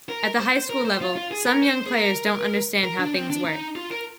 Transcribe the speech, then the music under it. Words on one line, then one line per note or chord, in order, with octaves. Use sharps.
At the high school level, some young players don't understand how things work.
A#4
C5
A#4
C5
F4
F4
G#4
A#4
C5
G#4
A#4
A#4
D4
C4
D4
D#4
F4
A#4